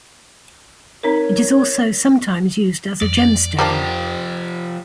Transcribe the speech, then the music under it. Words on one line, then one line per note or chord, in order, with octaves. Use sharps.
It is also sometimes used as a gemstone.
C4 D#4 A#4 C#5
F2 D5
F3 G3 A#3 D4 G4